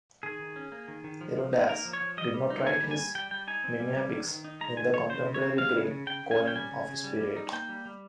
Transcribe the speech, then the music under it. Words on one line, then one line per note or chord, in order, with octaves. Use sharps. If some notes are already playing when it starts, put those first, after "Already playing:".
Herodas did not write his mimiambics in the contemporary Greek "koine" of his period.
D#3 G#4
D#3
C#4
A#3
D#3
D#3
F3
F3
D#4
A#3 A#4
F3
C#5
F3
G3 D#5
G3
D#4
A#3 G#5
G3
G#5
G3
G3 G5
G3 G5
D#4 G#5
C4
G3
G3
D#3
D#3
D#4
G#3 A#5
D#3 G#5
D#3 C#5
C#3 C5
C#3
C#5
C4
G#3 F5
C#3
C#3
C#3 G5
C#3
G#5
C#4
G5
G3 G#5
C#3
C#3
G3
G3
D#4
A#3 G5
G3
G3